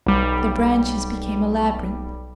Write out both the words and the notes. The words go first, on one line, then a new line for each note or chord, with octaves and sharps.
The branches became a labyrinth.
B1 G3